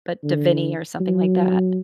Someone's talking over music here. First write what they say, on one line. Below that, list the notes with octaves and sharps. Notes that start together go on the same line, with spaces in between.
but Dhivehi or something like that.
D3
F#3